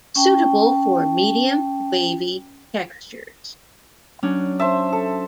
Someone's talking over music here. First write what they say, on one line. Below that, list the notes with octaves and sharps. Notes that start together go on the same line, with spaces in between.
Suitable for medium wavy textures.
C#4 G5 A5
F#3 C#4 D4
C5 E5 A5
A4